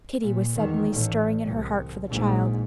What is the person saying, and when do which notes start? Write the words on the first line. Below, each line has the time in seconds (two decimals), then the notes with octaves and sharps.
Pity was suddenly stirring in her heart for the child.
0.20 A#2
0.56 E2 D#3
0.89 A1 A2
1.45 C2
2.07 A#1 G#2